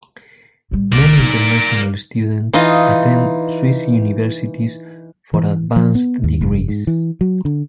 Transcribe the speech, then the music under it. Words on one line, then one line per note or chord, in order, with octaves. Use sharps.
Many international students attend Swiss universities for advanced degrees.
A2 G3
C2 A2 A#4 D5
F#3 D#4
E3 D#4 F4 D#5
E3
F3
B3
D#2
F1
G#2
E3
F#3
D3